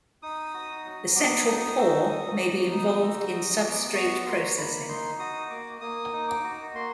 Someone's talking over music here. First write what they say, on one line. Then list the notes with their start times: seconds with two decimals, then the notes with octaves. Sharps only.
The central pore may be involved in substrate processing.
0.23 D#4 D#6
0.54 F#4
0.85 F#3
1.16 B3 D6
1.46 D#4 D#6
1.78 F#4 E6
2.09 F#3 D#6
2.40 B3 D6
2.71 D#4 D#6
3.02 F#4 E6
3.33 F#3 D#6
3.64 B3 D6
3.95 F#4 C#6
4.26 A#3 C6
4.57 A#3 B5
4.88 D#4 C6
5.19 F#4 D#6
5.50 A#3 D6
5.81 A#3 D#6
6.12 D#4
6.28 D6
6.44 F#4
6.75 A#3 C6